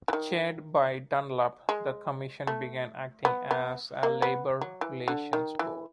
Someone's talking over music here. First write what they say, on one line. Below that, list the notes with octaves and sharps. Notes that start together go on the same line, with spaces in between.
Chaired by Dunlop, the commission began acting as a labor relations board.
E3
D#3
G#3
A3
B3
B3
A#3
B3
F#3
E3
D3
D#3
E3